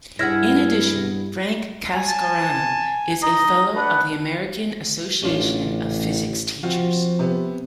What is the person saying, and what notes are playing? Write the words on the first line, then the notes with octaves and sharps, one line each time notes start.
In addition, Frank Cascarano is a Fellow of the American Association of Physics Teachers.
G2 E4 G#4 F#5 F6 G#6 A#6
G#5
A5
D#4 D#5
D4 B4 F#5
A1 C#4 D4 F4
F3 C4 F4 F#4
C3 B3